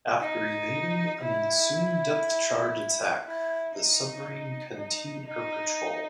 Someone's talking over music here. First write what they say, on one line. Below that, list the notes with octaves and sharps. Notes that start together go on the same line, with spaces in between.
After evading an ensuing depth charge attack, the submarine continued her patrol.
D#4
E4
E4
D#4
D#4
D#4